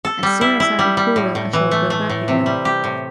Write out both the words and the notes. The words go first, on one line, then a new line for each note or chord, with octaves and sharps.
As soon as I am cooler I shall go back again.
A4
G3
E4
E4
G3
G3
A2
A2
E3
A3
A3
A2
C3
G3
G4
A2